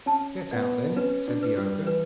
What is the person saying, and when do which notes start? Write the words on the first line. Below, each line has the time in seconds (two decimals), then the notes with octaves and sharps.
'Get out, then!' said the ogre.
0.06 C#4 A5
0.51 B3 D5
0.96 C#4 B4
1.28 D4
1.43 B4
1.57 G3
1.87 E3 B4